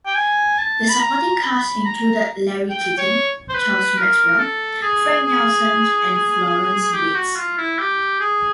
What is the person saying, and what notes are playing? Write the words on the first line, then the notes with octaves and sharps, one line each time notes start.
The supporting cast included Larry Keating, Charles Maxwell, Frank Nelson, and Florence Bates.
G5
G#5
A5
B5
A#5
B5
A#5
G5
C#5
C5
B4
A#4
A4
G#4
G#4
G4
F#4
F4
E4
G4
G#4